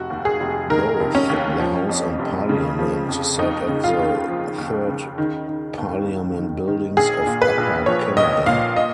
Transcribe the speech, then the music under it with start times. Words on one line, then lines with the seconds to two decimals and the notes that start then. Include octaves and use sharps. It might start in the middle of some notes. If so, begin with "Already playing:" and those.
Both the House and Parliament sat at the third Parliament Buildings of Upper Canada.
Already playing: F1 F#4
0.10 D#2
0.25 G#4
0.40 F1
0.70 D#3 A#4
1.00 F1
1.15 C#4
1.30 D#2
1.60 F3
1.89 F2
2.19 F1
2.49 C#3
2.79 F3
3.09 F2
3.39 D#2 D#4
3.69 C#3
3.84 F4
3.99 D#2
4.28 F3
4.58 D#2
4.88 C#3
5.18 D#3
5.48 D#3
5.78 D#2
6.08 D#2
6.37 D#3
6.67 D#3
6.97 A#1 G#4
7.27 A#2
7.42 B4
7.57 A#1
7.86 F3 C#5
8.17 A#1 D#5
8.46 A#2 F5
8.77 D#5